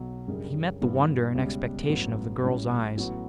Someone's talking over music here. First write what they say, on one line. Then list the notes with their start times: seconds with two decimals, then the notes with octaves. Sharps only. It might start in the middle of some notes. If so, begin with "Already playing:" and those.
He met the wonder and expectation of the girl's eyes.
Already playing: B1 B2 F#3
0.28 F#2 C#3 G3 D4
0.82 G2 E3 B3
1.35 C#2 B2 G3 C#4
1.88 A1 G2 F#3 B3
2.42 A1 A2 G3 C#4 E4
2.95 A1 A2 F#3 B3 F#4